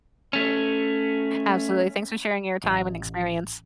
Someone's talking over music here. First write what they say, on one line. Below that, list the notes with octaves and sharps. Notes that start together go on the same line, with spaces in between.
Absolutely, thanks for sharing your time and experience.
A3 C#4
A1